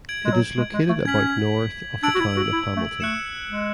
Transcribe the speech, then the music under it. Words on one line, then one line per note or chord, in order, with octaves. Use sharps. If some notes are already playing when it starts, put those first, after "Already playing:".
It is located about north of the town of Hamilton.
G#6 D7 F#7
G#3
F#3
G#3
G#3
A3
C#4 G#6 B6 F#7
D4 E6 G#6 D7 F#7
F#4
E4
F#4
E4
A3
A3 F#6 C#7 E7
G#3